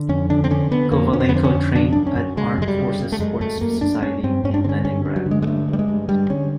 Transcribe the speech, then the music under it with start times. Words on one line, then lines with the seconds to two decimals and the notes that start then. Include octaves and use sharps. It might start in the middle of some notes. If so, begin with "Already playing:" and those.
Kovalenko trained at Armed Forces sports society in Leningrad.
Already playing: D3
0.09 F2 C#4
0.30 D3 D4
0.44 C4
0.51 D3 C#4
0.71 D3 B3
0.92 F2 A#3
1.12 F2 C#4
1.20 C4
1.29 B3
1.34 D3 C4
1.44 C#4
1.55 F2
1.75 C#3 D4
1.93 F#2 D4
2.07 C#4
2.16 F#2
2.37 C#3 G#3
2.58 F#2 G#3
2.68 G3
2.79 C#3
2.99 C#3
3.12 A3
3.19 F#2 G#3
3.41 F#2 A3
3.61 F#2 A#3
3.81 F#2 D4
4.02 F#2 C#4
4.23 G2 C4
4.44 G2 C#4
4.54 D4
4.64 D3 C4 C#4
4.85 G2 C#4
5.05 G2
5.16 F#3
5.26 D3
5.31 G#3
5.42 G#3
5.47 G2 A3
5.69 G2 G3
5.79 G#3
5.89 G2
6.09 G2 G3
6.30 D3 C#4